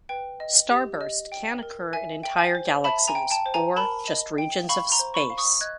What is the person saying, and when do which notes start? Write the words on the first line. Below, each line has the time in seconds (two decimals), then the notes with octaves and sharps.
Starburst can occur in entire galaxies or just regions of space.
0.09 B4 G5
0.40 D#5
0.70 G4
1.01 D#5
1.32 G5
1.63 A#4
1.93 E5 G#5
2.23 G5
2.38 G#5
2.55 C5
2.84 E5 A5 B5
3.08 G#5 A#5
3.15 G5
3.30 G5 A5
3.46 C5
3.54 G#5 A#5
3.76 A#4 A5 B5
4.08 D#5
4.38 G5
4.69 F5 B5 C#6
4.92 A#5 C6
4.99 C5
5.14 B5 C#6
5.30 F5
5.38 C#6 D#6
5.61 D#5 F#6 G#6